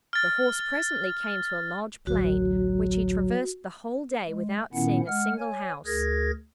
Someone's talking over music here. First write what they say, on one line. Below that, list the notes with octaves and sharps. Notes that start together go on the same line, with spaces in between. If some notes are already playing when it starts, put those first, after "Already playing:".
The horse presently came to a large plain, which he traversed the whole day without seeing a single house.
F6 A6
A1 D2 F#3 F#4
G#3
A#2 D#3 B3 C#4 E4 F#5
G#3 F#5 F6
C#5 G#5
D2 G#4 A#4 G#6 A#6